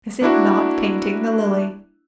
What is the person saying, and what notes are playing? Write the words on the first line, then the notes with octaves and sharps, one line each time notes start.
Is it not painting the lily?
A#3 D4 E4 F#4